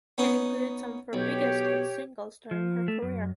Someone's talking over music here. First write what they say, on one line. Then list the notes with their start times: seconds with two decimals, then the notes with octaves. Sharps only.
It included some of her biggest hit singles during her career.
0.18 B3 C#4 D#4
1.13 B1 G4 C#5
2.51 F3
2.88 A3
3.02 F#2